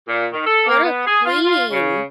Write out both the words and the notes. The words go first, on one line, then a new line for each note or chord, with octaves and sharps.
What a queen!
A#2
D#3
A4
A#3
B3
G#4
F4
F4
C#3